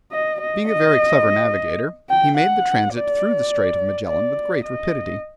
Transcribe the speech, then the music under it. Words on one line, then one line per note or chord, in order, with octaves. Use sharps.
Being a very clever navigator, he made the transit through the Strait of Magellan with great rapidity.
D#5
D#5
D#5
G5
F#5
D5
D5
D#5